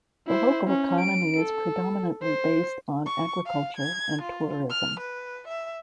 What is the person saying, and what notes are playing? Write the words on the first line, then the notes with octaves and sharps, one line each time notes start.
The local economy is predominantly based on agriculture and tourism.
E4 C5
C#4
D7
A4
C5
C#6
F5
G#6
F4
F6
B4
E5